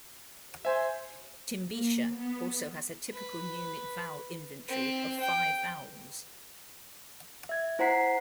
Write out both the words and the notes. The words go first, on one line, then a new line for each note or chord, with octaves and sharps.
Timbisha also has a typical Numic vowel inventory of five vowels.
C5 E5 G#5
A#3
B3
B4
C4
G5
E5 G#6
E4 C5 F#5 A#5 B6 C7